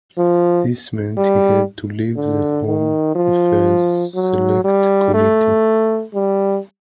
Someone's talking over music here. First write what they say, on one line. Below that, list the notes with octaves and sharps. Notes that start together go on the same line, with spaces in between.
This meant he had to leave the Home Affairs Select Committee.
F3
G3
D3
D#3
F3
F#3
G3
A3
G3